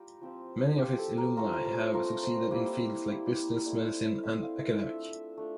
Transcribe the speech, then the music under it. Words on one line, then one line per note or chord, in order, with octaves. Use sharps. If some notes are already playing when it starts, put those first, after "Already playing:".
Many of its alumni have succeeded in fields like business, medicine and academic.
Already playing: G3 F4 G4 A#4
F3 C4 F4
F3 C4 F4 G4
A4
A#4
A3 C4 F4 A#4
C5
A#4
A#4
A3 C4 F4 A#4
C5
G3 A#3 E4
G3 A#3 E4
A3 C4 E4 D5
A3 C4 E4 E5
F5
E5
A3 D4 F4 E5
A3 D4 F4